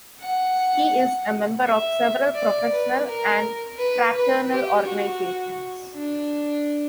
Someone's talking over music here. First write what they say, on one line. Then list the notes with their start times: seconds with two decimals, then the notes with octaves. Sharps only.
He is a member of several professional and fraternal organizations.
0.21 F#5
1.64 E5
2.35 D5
2.72 B4
3.08 A#4
3.78 B4
4.15 B4
4.51 G4
4.86 F#4
5.94 D4